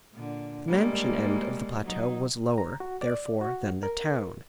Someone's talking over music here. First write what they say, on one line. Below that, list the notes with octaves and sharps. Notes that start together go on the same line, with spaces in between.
The Mansion end of the plateau was lower, therefore, than the town.
A#2 D3
G3 G#3 A#3
F#3 D#4
A#5
F#4
D5
F#4
A#4